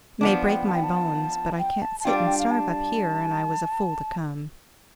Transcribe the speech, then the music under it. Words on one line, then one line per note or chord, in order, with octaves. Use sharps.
May break my bones, but I can't sit and starve up here, and I was a fool to come.
F3 B3 D4 A5
G5
A5
G5
A5
G5
A5
A5
G3 D4 F4 G5
F5
G5
F5
A5